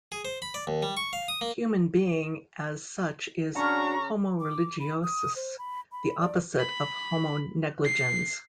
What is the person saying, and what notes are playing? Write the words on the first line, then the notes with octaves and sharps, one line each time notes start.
Human being as such is "homo religiosus", the opposite of "homo negligens".
G#4
C5
B5
D5
D#2
G3
C#6
F5
D#6
A#3
C#3 C#4 D4 F#4 A#5 C#6
D6
B5
D#6
C5
B5
B5
D5
B5
C7